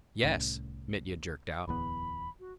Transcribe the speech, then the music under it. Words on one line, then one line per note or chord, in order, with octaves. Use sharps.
"Yes," Mitya jerked out.
C2 A2 C#4
D1 E2 B3 B5
F#4